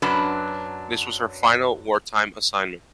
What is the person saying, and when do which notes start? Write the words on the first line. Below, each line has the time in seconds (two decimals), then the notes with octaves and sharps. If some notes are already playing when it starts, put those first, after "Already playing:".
This was her final wartime assignment.
0.02 F#2 F#3 D4 B4